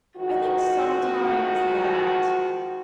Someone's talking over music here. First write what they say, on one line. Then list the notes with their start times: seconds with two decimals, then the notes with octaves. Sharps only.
I think sometimes that,
0.16 D#3 F3 G#3 F#4